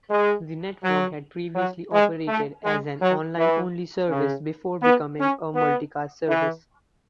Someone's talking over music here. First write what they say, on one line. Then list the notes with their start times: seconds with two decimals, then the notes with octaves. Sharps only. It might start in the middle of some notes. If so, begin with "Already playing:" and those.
The network had previously operated as an online-only service before becoming a multicast service.
0.10 G#3
0.83 F#3
1.55 F#3
1.92 G#3
2.28 A3
2.64 G#3
3.01 F#3
3.37 E3
4.10 C#3
4.82 B3
5.19 C#4
5.55 B3
6.27 E3